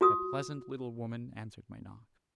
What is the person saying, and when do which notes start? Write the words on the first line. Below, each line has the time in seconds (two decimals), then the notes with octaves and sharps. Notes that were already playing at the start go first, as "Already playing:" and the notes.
A pleasant little woman answered my knock.
0.01 F4 F#4 D#6